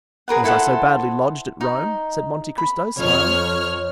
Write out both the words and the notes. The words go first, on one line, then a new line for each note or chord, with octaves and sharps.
"Was I so badly lodged at Rome?" said Monte Cristo smiling.
G#4 A#4 B4 F#5
E4 A4 C5 F#5
D#4
B5
F2 C#5 F6